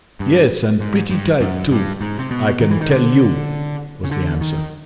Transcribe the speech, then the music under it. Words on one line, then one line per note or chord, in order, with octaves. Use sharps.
"Yes, and pretty tight too, I can tell you," was the answer.
G2
G#2
G2
F#2
G2
G#2
C3
B2
D#3
E3
D#3
D3
C#3
D3
D#3